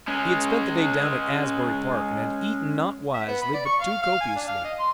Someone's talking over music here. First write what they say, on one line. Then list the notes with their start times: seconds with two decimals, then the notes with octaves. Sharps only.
He had spent the day down at Asbury Park and had eaten not wisely but too copiously.
0.07 G#3 C#4
3.14 E5
3.28 B3
3.42 B5
3.54 D5
3.66 C#6
3.81 F5
4.02 F5
4.21 G#5
4.36 D4
4.48 F5
4.64 D#5
4.79 C6